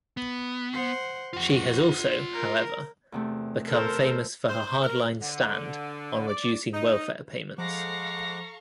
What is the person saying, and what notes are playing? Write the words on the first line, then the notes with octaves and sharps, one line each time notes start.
She has also, however, become famous for her hardline stand on reducing welfare payments.
B3
C5 F#5
F2 F4 F#5
A#4
E2 C3 A3
A4 A#4 C5
C5
A#4
D3
D5
D#4
F3 G#3 A4 F5 F#5 A#5 C#6 D6